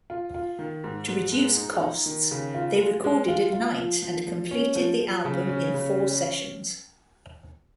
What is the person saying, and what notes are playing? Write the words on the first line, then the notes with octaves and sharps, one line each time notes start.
To reduce costs, they recorded at night and completed the album in four sessions.
F4
F4
D#3
G#2
G#2
G#3
D#4
D#4
D#3
C#3
F4
G#3
G#3
F4
F4
F3
F3
F3
C#4
F3
F3
C#3
C#4
C#3
C#4